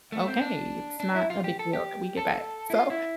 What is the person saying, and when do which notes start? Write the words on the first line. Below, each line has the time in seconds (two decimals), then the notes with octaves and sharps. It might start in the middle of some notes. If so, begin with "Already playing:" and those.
okay, it's not a big deal that we get back, so,
0.12 A3
0.28 C4
0.41 D4
1.00 D4
1.15 E4
1.30 F4
1.44 G4
1.59 A4
1.73 G4
2.17 A4
2.70 E4
2.75 F4
2.90 E4